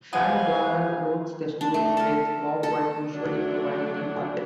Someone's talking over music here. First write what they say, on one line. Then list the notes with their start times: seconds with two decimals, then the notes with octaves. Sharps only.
Frank Doyle wrote the stories, with Bob White usually providing the art.
0.13 G#3 B3 G4 B4 C5 F5 G#5
1.61 D4
1.74 A3
1.97 A4 A#4
2.63 A4
3.12 F#3 A3 D4